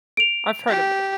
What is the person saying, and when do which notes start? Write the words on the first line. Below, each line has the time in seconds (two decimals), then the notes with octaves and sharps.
I've heard of it.
0.17 D7 F7
0.68 G4